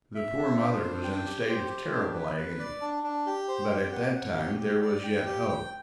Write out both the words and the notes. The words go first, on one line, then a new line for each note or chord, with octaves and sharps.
The poor mother was in a state of terrible agony, but at that time there was yet hope.
E5
D4
C5
D4
G5
G4
C5
G4
D4
B4
B4
D5
D4
D4
G4
C5
G4
F#5
F#5
G4
G4
D5
G5
G4
G5